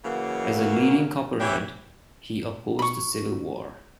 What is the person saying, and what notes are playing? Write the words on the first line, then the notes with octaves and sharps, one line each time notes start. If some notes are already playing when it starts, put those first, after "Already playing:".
As a leading Copperhead he opposed the Civil War.
C#3 E3 F#3 A#3
E3 D4 G4 C#5 E5
B5 C#6